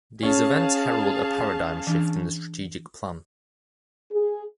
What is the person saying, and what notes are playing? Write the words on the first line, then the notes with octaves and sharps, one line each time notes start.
These events herald a paradigm shift in the strategic plan.
C#4 G#4 F5 A5
E3 D4
G#4